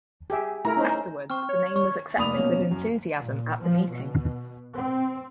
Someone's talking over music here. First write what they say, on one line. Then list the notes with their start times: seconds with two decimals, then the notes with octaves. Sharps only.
Afterwards the name was accepted with enthusiasm at the meeting.
0.30 G4 G#4 E5
0.65 A3 E4 A#4 A#5
0.77 C#4 D#4 C5
1.30 C4 C#6 F6
1.49 C#5
1.76 C#6
2.17 F1 A#3 D5 B5 D#6 F7
2.34 B2 A#3 C#4
2.71 F#2
3.17 A#2
3.57 F3
3.91 B2
4.77 C4